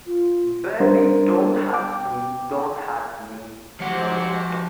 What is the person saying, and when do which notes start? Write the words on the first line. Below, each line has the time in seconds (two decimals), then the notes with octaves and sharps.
Baby don't hurt me, don't hurt me...no more.
0.06 F4
0.80 G3 D4 A#4 C5
1.73 G5 D6
3.80 F3 F#4 G4 C5 F#5